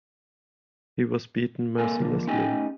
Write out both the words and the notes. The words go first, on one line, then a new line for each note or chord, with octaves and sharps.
He was beaten mercilessly.
A#3 A4 A#4 G#5
C#2 D3 F3 A#3
A3 C#4 D#4 G4 G5 G#5